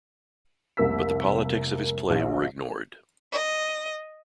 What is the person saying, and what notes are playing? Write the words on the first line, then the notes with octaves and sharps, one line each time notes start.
But the politics of his play were ignored.
F1 C2 A#3 A#4 E6 B6
A#1
D#5